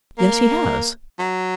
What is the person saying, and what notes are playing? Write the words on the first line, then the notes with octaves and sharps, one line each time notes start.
"Yes, he has."
A#3
F#3